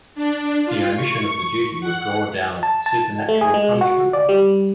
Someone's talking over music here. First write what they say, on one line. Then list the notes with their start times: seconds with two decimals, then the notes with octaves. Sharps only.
The omission of the duty would draw down a supernatural punishment on them.
0.15 D4
0.66 F4
0.95 C#6
1.81 F#5
2.63 A5
2.86 A5
3.29 A3
3.41 G#4
3.54 G#3
3.81 F#4
4.13 D5
4.29 G3